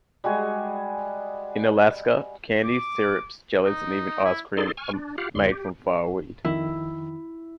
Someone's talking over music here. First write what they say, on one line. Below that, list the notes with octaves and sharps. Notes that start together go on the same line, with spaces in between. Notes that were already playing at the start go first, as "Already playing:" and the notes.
In Alaska, candies, syrups, jellies, and even ice cream are made from fireweed.
G3 G#3 F#4 G#5
D6
D#4
E4
D#4 G#4 A4 D5 C6
G#5 C#6 F6
D4
F4 G4 F5 F#5
E2 G2 C#3 G3 C6
G4
F2 D#3 E4